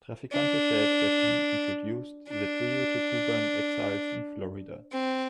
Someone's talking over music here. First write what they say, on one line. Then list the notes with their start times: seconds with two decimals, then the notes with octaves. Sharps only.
Trafficante said that he introduced the trio to Cuban exiles in Florida.
0.32 D4
2.29 D4
4.93 C4